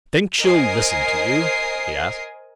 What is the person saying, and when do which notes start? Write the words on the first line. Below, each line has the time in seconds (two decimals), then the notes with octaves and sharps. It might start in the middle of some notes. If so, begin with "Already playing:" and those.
"Think she'll listen to you?" he asked.
0.41 A#4 C5 D#5 G#5 C7